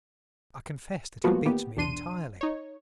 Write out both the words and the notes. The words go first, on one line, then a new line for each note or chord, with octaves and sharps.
I confess that it beats me entirely.
F3 G3 G#3 A#3 B3 F#4
A#2 D#3 B3 G4
B1 E2 D4 C6 D#7
D#4 C#5